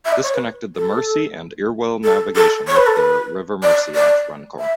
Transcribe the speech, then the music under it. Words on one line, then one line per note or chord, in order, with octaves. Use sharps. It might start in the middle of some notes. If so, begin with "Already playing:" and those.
This connected the Mersey and Irwell Navigation with the River Mersey at Runcorn.
E5
D5
C#5
B4
A4
A4
A4
C#5
B4
A4
B4
D5
D5
E5